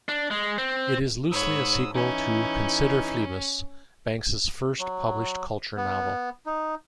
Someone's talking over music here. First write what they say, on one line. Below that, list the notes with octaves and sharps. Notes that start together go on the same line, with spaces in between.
It is loosely a sequel to "Consider Phlebas", Banks's first published Culture novel.
D4
G#3
C4
G#2 C#5 B5 D#6 E6
E3 C#4 D#4 E4
F#3
B3
D#4